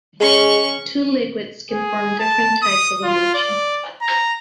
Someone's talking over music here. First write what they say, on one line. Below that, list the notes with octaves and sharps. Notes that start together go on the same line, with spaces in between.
Two liquids can form different types of emulsions.
G#3 C#4 C#6
G#4
A5
D#6
F4
D5
A#5